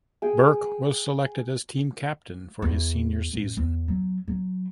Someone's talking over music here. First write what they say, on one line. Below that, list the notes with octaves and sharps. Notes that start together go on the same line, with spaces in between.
Burke was selected as team captain for his senior season.
G#4 G5
E2
A1
E2
F#3
F#3